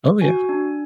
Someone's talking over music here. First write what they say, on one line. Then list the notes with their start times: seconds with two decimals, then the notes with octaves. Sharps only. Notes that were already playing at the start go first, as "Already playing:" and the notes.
Oh, yeah.
0.21 F#4 G#5
0.49 D4